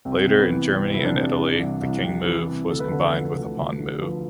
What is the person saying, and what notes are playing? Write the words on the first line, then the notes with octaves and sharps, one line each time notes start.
Later in Germany and Italy, the king move was combined with a pawn move.
C2 C4
C3
B3
E3
C2 C4
C2 E4
D4
C3
E3
C2
C2
C3
E3
C2
D2 A4
B4
D3 A4
F3
D2
D2
D3
F3 B4